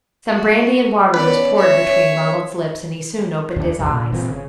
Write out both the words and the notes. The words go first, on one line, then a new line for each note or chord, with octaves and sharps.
Some brandy and water was poured between Ronald's lips, and he soon opened his eyes.
F#4
B3 C#4 B4 D5
C#5 E5
D#2 D4
A1 E2 C3
A#2
G1 A#2 E3 C4
C#3